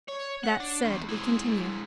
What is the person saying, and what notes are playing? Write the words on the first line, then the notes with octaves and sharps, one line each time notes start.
That said, we continue.
C#5
F#5
D4
E2
G#3 E4